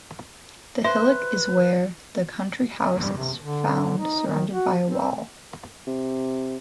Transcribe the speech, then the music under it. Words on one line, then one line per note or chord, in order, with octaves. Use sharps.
The hillock is where the country house is found surrounded by a wall.
B4 C5 E5
G3
C3
D3
D#4
D#3
F#4
C4
C3